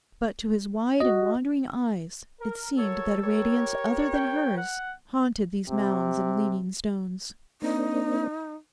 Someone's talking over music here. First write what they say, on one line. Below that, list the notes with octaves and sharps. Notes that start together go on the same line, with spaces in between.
But to his wide and wandering eyes it seemed that a radiance other than hers haunted these mounds and leaning stones.
F#4 D#5
A#4
F#4 A4 A#4 C#5
G4 A#4 C#5
G5
F#5
C3
A#3 C4 D4 D#4